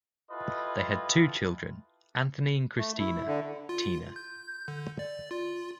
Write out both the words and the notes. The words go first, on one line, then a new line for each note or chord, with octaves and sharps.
They had two children, Anthony and Christina "Tina".
E4 F4 G4 A4 B4 D#5
A3
E4
D3
F4
G6
D3
D5
F4